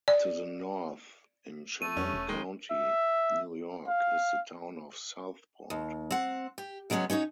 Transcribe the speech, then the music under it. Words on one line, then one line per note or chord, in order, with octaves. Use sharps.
To the north, in Chemung County, New York, is the town of Southport.
D5
A3 D#7
F2 C#4
E1
D#3 G#3
E5
F5
D#2
C4 F#5
G4
C#3 F#3 G#3 B3 C#4
C#4 D#4 F#4 C#5